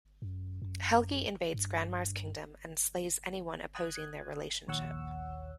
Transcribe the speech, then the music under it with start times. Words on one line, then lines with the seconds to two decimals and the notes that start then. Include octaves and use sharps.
Helgi invades Granmar's kingdom and slays anyone opposing their relationship.
0.22 F#2
0.62 F#2
1.54 G2
3.75 D#6 F#6 G#6
4.67 A#1 D#2 C#5 F#5 E6